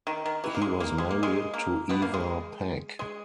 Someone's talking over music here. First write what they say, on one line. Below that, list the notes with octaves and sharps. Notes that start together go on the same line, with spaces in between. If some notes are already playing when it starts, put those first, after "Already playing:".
He was married to Ewa Pac.
D#3
D#3
E3
A#3
G#3
A#3
G#3
A#3
G#3
A#3
B2 B3
A#3
G#3
G#3